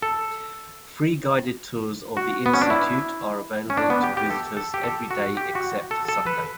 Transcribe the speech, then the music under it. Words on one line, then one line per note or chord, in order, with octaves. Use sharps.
Free guided tours of the institute are available to visitors every day except Sunday.
A4
F#4
B3
C#4
D4
E4
C#4
D4
B3
G4
G4
A4
A4
G4
A4
F#4
G4
F#4
A4
A4
B4